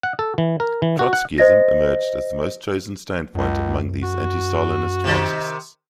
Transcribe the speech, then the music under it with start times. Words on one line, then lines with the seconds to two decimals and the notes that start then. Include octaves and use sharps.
Trotskyism emerged as the most chosen standpoint among these anti-Stalinist Marxists.
0.03 F#5
0.19 A4
0.38 E3
0.60 A#4
0.82 E3
0.99 F#4
1.13 F#5
1.38 C5 D#5 A#6
3.35 C#2 F#2
4.03 F#4
5.04 C3 D#3